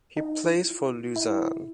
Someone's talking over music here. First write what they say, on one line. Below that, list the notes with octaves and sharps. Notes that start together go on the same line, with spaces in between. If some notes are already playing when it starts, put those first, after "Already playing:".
He plays for Luzern.
D#4
F4
E4
E4